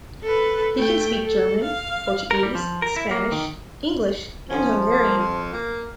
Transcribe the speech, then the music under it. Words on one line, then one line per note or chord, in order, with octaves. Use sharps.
He can speak German, Portuguese, Spanish, English and Hungarian.
A4 B4
A3 G5
A4
F5
A#4
G3
F3
A#4
E4
A#3
D#3
F3 C#4
A#3
F2
A#3